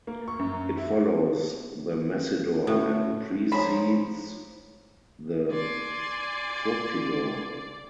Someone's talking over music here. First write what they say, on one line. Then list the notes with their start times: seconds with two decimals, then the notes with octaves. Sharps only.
It follows the Messidor and precedes the Fructidor.
0.07 A#3
0.28 C#6
0.39 F#2
0.77 E5
2.67 A2 A3 C#4 E4 F#4
3.52 F3 G#4 C5 C#5 A#5 B5
5.51 D5 G#5 C6